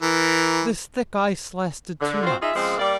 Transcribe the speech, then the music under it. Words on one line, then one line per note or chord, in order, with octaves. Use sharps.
This thick ice lasted two months.
E3 A#4
D3
C4 F4 F#4 C5
D#4 F4 G#4 E5
C#3 F3 G#3 C4
G3 A#3 D5